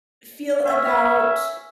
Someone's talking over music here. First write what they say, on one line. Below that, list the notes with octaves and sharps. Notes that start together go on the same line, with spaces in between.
feel about
C#4 E5